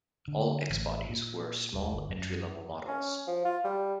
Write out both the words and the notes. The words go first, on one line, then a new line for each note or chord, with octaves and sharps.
All X-bodies were small entry-level models.
D3
A1
A#2
D#1
G1
F#2
C#4
F3
F4
G3